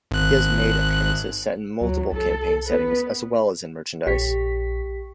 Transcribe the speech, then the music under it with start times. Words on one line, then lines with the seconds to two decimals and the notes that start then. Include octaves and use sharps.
He has made appearances set in multiple campaign settings as well as in merchandise.
0.11 G#1 F#6
1.81 D2 F#3
2.12 C2 A4
2.66 B3 B4
4.07 A#1 G4 B6